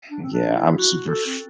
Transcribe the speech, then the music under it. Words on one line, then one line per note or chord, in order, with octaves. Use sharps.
yeah, I'm super f
D4
C4
D4
E4
F#4
A4
C4